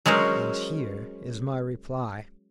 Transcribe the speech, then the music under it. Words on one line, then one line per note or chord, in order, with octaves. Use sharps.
"And here is my reply."
F#3 G#3 C#4 A#4 C5